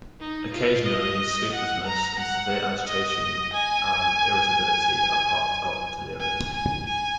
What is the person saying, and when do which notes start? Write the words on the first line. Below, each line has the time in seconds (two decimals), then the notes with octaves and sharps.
Occasionally sleeplessness and severe agitation and irritability are part of delirium.
0.20 D#4
0.54 F4
0.86 D#5
1.53 F#5
1.87 A#5
2.19 F#5
2.87 D#5
3.53 G#5
6.20 G#5
6.53 G#5
6.86 G#5